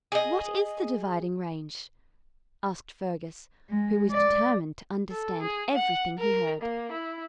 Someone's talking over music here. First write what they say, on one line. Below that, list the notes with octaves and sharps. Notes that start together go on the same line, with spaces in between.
"What is the Dividing Range?" asked Fergus, who was determined to understand everything he heard.
G#4 D#5
G#3
D5
A4
G#4
F#5
A#4
A#3
E4